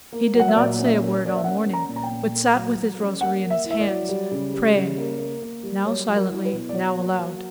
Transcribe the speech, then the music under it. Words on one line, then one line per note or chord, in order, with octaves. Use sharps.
He did not say a word all morning, but sat with his rosary in his hands, praying, now silently, now aloud.
A#3
F#3
F#5
E5
A#2 D5
C#4
E5
A#3
A#3 D5
E5
C#4 F#5
C#4
A#5
A#2
A#5
G5
A#2
A#3
F#3
F#3
C#4
A#3 F#5
A#3
E5
E4
E5
D5
F#3
G3
C#3
G3
C#3
A#3
A#3
A#3
G3
F#3 C#5
F#3
A#4
E4
B4
B2
D5
F#3 C#5
A#3
F#3